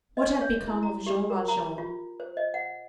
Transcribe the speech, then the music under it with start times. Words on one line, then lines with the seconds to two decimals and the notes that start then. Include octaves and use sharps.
What had become of Jean Valjean?
0.17 D#5
0.41 C#5
0.68 E4
0.83 A#5
1.06 G4
1.30 A#4
1.48 A#5
1.78 F4
2.20 C5
2.37 D#5
2.54 F#5